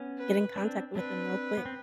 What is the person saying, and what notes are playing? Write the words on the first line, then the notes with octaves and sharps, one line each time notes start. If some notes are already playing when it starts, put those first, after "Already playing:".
get in contact with them real quick.
Already playing: B3 C#4
B4
C4 D4
C4 D4 B4
B3
C4